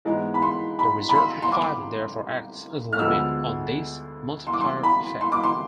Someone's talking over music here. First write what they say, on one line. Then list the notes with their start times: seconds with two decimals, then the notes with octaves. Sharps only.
The reserve requirement therefore acts as a limit on this multiplier effect.
0.05 G#2 E3 G#3 B3
0.34 B5
0.42 C6
0.79 B5
1.09 B5
1.15 C6
1.42 C6
1.52 D6
2.93 F6
2.99 D2 D3 F3 G#3 B3 E6
4.47 C6
4.53 D6
4.61 C6
4.83 B5
5.21 C6
5.32 D6
5.43 C6